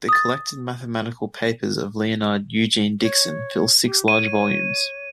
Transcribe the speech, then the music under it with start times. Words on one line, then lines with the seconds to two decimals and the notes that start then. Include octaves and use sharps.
The "Collected Mathematical Papers of Leonard Eugene Dickson" fill six large volumes.
0.09 D#6 A6
3.01 C#5
3.85 G4
4.08 C#5 D#7